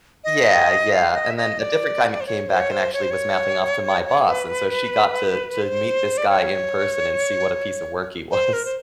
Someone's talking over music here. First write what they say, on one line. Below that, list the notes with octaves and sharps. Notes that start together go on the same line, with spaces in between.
Yeah, yeah, and then a different time he came back and actually was mouthing off to my boss, and so she got to to meet this guy in person, and see what a piece of work he was.
D#5
F5
D#5
E5
D#5
D5
C5
C#5
C5
C#5
C5
C#5
C5
C#5
B4
C5
D5
C#5
C5
A#4
C5